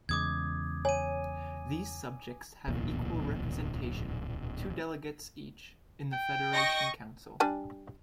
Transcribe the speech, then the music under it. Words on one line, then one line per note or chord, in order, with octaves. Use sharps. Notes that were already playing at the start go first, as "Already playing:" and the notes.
These subjects have equal representation-two delegates each-in the Federation Council.
E2 C#3 G#3 D6 D#6 G#6
C#5 G#5 D#7
D1 B1 E2 A#2
G5
D#5 C#6 A#6
G3 D4 G#5